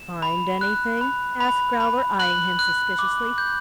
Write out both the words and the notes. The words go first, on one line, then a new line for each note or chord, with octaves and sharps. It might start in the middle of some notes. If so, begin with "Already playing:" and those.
"Find anything?" asked Growler, eying him suspiciously.
Already playing: E7
B5
F#6
B5
B5
B5
F#6 F#7
F#6
D6
G6